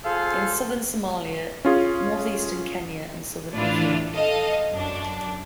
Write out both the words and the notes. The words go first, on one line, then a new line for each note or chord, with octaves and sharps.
In Southern Somalia, North Eastern Kenya and Southern Ethiopia.
F4 G#4 A4 C5 F5
C#4 F4 G#4
A2 E3 D4 E4 F4
A4 D#5 F5
F#2 D4